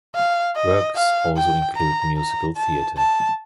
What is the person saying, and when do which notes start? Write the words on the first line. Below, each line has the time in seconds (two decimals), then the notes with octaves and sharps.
Works also include musical theatre.
0.15 F5
0.56 D#5
0.96 F5
1.37 G5
1.77 A#5
2.17 A#5
2.57 A5
2.98 A5